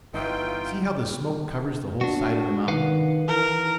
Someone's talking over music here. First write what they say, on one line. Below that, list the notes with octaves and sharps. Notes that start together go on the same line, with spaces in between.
See how the smoke covers the whole side of the mountain.
G1 E3 D#4 F4 F#4 G5
D4 F#4
D#3 B4 F5 F#5
E3 A#4